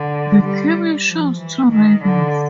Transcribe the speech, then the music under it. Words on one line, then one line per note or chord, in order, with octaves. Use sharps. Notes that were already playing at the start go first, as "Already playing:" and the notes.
The cameo shows two riders.
Already playing: D3
G3
F3
E3
D#3
D3